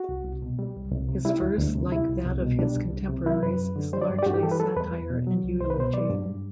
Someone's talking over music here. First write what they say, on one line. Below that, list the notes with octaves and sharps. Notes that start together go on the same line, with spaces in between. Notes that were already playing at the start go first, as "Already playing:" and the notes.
His verse, like that of his contemporaries, is largely satire and eulogy.
Already playing: F#4
C2
C2
B2
G3
C2
C2
C3
G3 E4
D2
D2
C3
G3 E4
C2
C2
B2
G3 D4
C2
C2
C3
F#3 E4
F#2 B4
F#2
D3
G3 C5
D5
G2
D5
G4
G2 F#4
G4
E3 A4
B4
G3 A4
E2 B4
E2
B2
F#3
C2
C2 C5
B4
B2 C5
F#3 D5
G2
G2